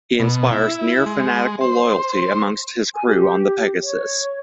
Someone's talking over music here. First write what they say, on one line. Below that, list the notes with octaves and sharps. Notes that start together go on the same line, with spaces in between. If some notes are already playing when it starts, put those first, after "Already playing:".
He inspires near-fanatical loyalty amongst his crew on the Pegasus.
B2
E4
G#3
C5
G#5
G4
C#5